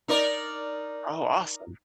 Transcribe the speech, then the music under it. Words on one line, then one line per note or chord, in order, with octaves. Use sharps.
Oh, awesome.
D#4 A#4 D5